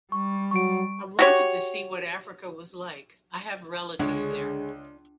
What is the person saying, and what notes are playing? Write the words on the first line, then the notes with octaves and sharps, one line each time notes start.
I wanted to see what Africa was like — I have relatives there.
G3 C#6
F#3 C#6 D7
F#4 G4 C#5
C#2 D3 G#3 D4 C#5